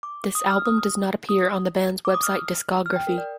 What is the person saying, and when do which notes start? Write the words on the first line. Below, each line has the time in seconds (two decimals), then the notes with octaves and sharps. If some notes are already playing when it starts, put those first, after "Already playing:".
This album does not appear on the band's web site discography.
0.03 D6
0.35 D#6
0.50 F6
0.66 D#6
1.29 D#6
2.05 D6
2.14 D#6
2.23 F6
2.86 F6
2.96 G5
3.07 A#4
3.18 D5